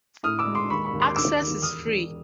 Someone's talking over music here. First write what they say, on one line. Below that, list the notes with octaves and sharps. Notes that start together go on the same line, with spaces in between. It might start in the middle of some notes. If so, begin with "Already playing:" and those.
Access is free.
A2 D#6 F6
D6 E6
G#3
C6 D6
D#2 B5 C#6
B5 C#6
D#2
C6 D6
D#3 D6 E6
D#3
E1 D#6 F6
E1